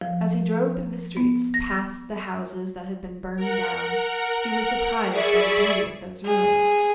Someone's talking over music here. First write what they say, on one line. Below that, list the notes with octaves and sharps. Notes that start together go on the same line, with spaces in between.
As he drove through the streets past the houses that had been burned down, he was surprised by the beauty of those ruins.
F3
B3
A#6
A#4 F#5
G#4 D5 E5 B5 C#6
G#4